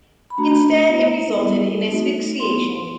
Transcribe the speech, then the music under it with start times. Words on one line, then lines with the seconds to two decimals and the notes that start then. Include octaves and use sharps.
Instead, it resulted in asphyxiation.
0.30 B5
0.38 A3 D4 F#4 A#5
0.89 B3 E4
1.39 G3 B3 E4
1.89 A3 C4 D#4 F#4
2.40 B3 E4 C6